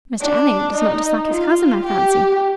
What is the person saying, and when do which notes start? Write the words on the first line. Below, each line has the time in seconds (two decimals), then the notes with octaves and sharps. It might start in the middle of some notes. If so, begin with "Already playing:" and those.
"Mr Elliot does not dislike his cousin, I fancy?"
0.21 D4
0.75 D#4
1.31 F4
1.85 G4